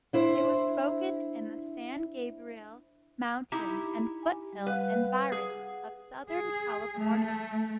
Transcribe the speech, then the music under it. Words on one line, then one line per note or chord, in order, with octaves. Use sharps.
It was spoken in the San Gabriel Mountains and foothill environs of Southern California.
D4 E4 C5
D#4 E4 G4
G#5
G3
G3 B4 F5 F#5
G#4 F#5
G#4
A3